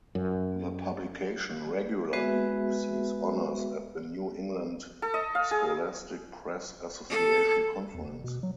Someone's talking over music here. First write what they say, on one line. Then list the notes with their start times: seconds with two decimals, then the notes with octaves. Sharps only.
The publication regularly receives honors at the New England Scholastic Press Association conference.
0.15 F#2
2.13 G#3 B3 F#4 G#4 B4 E5
5.02 A4
5.14 D#5
5.35 F5
5.51 G#4
7.10 A4
7.94 E2
8.07 F1
8.24 B2
8.43 F#3